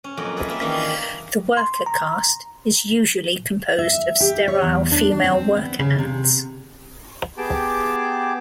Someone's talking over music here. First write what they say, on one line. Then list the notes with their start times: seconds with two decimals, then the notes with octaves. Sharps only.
The worker caste is usually composed of sterile female worker ants.
0.04 C#4
0.17 F2 F#3 A#3 A#4 D#5
0.37 G#4 A4 B4 D#5 E5
0.48 A#3 C4 B4 E5
0.61 D#3 E3 G3 A#3 C#4 F4
0.77 D#5 F5
1.57 C6
1.86 A#5
3.78 E5
4.20 G4
4.48 C#5
4.62 E2
4.92 D4
5.12 D4
5.24 C4
5.56 B3
5.79 C#3
5.98 C3
7.37 B3 G4 G#4 G5 A5 D6